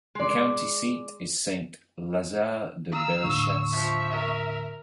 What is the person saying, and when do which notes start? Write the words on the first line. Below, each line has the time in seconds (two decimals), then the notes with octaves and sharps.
The county seat is Saint-Lazare-de-Bellechasse.
0.15 G#3 D5
2.92 F5 A#5 E6
3.23 D#2 A2 D3 C#6
3.72 F3 E5
4.11 A#4